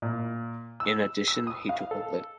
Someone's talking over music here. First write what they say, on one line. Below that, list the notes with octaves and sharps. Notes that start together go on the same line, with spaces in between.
In addition, he took a Litt.
A#2
E6
E6
D#6
F5
A4